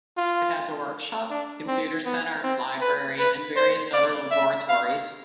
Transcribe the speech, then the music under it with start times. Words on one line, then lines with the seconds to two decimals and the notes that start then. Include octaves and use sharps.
It has a workshop, computer centre, library and various other laboratories.
0.17 F4
1.30 D4
1.68 C4
2.06 B3
2.43 C4
2.81 B4
3.19 B4
3.56 C5
3.94 D5
4.31 E5
4.69 F5